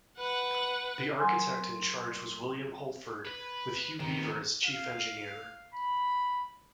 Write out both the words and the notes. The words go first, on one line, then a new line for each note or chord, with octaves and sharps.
The architect in charge was William Holford with Hugh Beaver as chief engineer.
B4 F#5
F#3 A#4 G#5 C6
B4
C3 D#3 B3
F5
B5